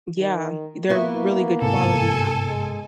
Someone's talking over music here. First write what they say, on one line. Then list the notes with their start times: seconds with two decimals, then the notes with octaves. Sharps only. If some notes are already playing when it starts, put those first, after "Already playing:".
Yeah, they're really good quality now.
0.18 D#3
0.89 A#3 B3 E4 F#4
1.62 G1 G#2 C3 A4 G#5
2.47 G#3